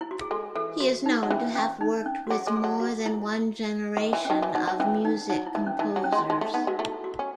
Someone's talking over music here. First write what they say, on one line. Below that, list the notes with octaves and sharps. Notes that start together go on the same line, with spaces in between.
He is known to have worked with more than one generation of music composers.
E4
F#4
G#4
G#3 A4
E3 A4
F#4
D#4
F#3
E3 C#4
C#4
D#4
C#4
F#4
F#3 G#4
G#3 A4
G#4
F#3
F#4
E4
D#3
E3
C#4
D#3 D#4
E3
F#3 D#4
F#3
E3 C#4
D#4
F#3 D#4
E4
E3 D#4
C#4
E3 D#4
F#3
C#4
G#3
E4
G#3 D#4
A3
B3 D#4
G#3 F#4
A3 E4
F#4
C#4